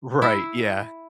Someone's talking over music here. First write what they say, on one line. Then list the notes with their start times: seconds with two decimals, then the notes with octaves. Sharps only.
Right, yeah,
0.22 E4